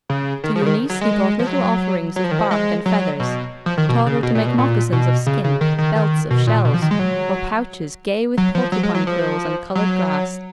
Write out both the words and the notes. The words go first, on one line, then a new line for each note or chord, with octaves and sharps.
To Eunice he brought little offerings of bark and feathers; taught her to make moccasins of skin, belts of shells, or pouches gay with porcupine quills and colored grass.
C#3
D#3
F3
C#3
D#3
F#3
G#3
F3
F#3
F#3
F3
D#3
F3
G#3
F#3
B2
F3
D#3
B2
C#3
B2
A#2
B2
A#2
B2
C#3
C#3
D#3
D#3
D#3
B2
A#2
B2
F3
D#3
G#3
F#3
F#3
F3
F#3
G#3
F#3
F3
F#3